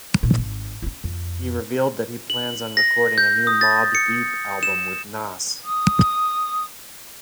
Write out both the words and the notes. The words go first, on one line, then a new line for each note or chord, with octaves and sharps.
He revealed that he plans on recording a new Mobb Deep album with Nas.
A#2 D#3
G#1
C#4 E4
F2
F#7
A#6
G6
D#6
A6
C#7
E7
D#6